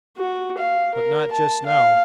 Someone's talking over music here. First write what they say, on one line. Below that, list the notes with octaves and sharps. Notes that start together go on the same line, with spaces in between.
But not just now.
F#4
F5
A#4
A5
F5